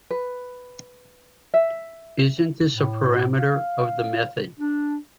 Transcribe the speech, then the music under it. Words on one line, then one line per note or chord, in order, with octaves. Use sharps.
Isn’t this a parameter of the method?
B4
E5
A2
F5
D4